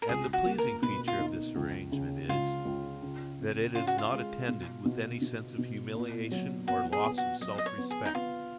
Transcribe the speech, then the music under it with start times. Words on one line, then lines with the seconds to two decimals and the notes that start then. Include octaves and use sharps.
And the pleasing feature of this arrangement is, that it is not attended with any sense of humiliation or loss of self-respect.
0.02 A#4
0.09 C#2 G#4
0.33 F#4
0.46 A#3
0.58 A#4
0.82 B2 B4
1.08 F4
1.19 D#4
1.56 C#2
1.92 C#3
2.29 C#2 F4
2.65 C#2
3.02 C#3
3.39 F2
3.75 C#4 F4
3.87 F#4
3.98 F4
4.12 G#3
4.49 B2
4.86 B2
5.22 B2
5.58 B2
5.95 A#2
6.31 F#3
6.68 B3 F#4
6.92 G#4
7.05 B3
7.18 F#4
7.41 F#3 D#5
7.58 D#5
7.66 C#5
7.78 B3
7.91 G#4
8.06 D#4
8.15 B3 F4